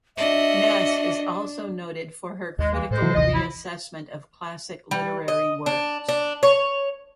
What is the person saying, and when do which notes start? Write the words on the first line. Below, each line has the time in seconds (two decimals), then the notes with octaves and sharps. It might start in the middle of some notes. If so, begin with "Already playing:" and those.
Ness is also noted for her critical reassessment of classic literary works.
0.18 D4 F#4 D#5 E5
2.59 D#2 G#3
2.73 E3 A#3
2.91 A2 G#3 A4 C5
3.02 C3 E3 F#3
3.15 A1 D#2 C3 D#5
3.34 E4
4.91 G3
5.28 D#5
5.66 D4
6.09 D4
6.43 C#5